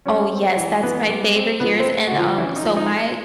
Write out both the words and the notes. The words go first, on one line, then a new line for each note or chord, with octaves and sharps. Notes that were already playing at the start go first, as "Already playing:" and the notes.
Oh, yes, that's my favorite years and, um, so my
G3 C#4 C#5
C4
E3
E3 B3 B4
G3
C4
F3 B3 B4
C4 C5
A3
D3 F#4
F3 F4
E3 C#4 E4
D#4
F3
D#4